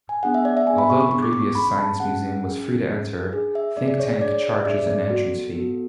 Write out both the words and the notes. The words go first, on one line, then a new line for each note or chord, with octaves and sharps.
Although the previous science museum was free to enter, Thinktank charges an entrance fee.
G#5
B3 D4 G#4 F#5
E5
D5
E5
B3 D4 G#4 G#5
B5
C#6
C#6
B3 D4 G#4 C#6
D6
C#6
C#4 G#4 B5
A5
C#4 G#4 F#5
C#4 G#4
C#4 G#4
D4 G#4
E5
D4 G#4 D5
D5
C#5
D5
D4 G#4 D5
D5
E5
D4 G#4 D5
D5
B3 F#4 A4
B3 F#4 A4